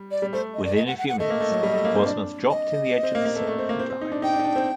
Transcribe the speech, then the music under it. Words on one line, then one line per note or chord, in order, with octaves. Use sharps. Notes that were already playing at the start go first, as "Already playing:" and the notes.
Within a few minutes, Wasmuth dropped in the edge of the surf and died.
Already playing: G3
D5
G3
A3 C5
D#5
D5
D#5
F#5
F#5
F#5
A3 D#5
A#3
A3
F#3
G3
A3
A#3
C4
D4
D#5
C4
A#3
A#3
A3
A3
C4
A#3
C4
C4
D#4
D4
D#4 G5
D4
D#4
D4
C4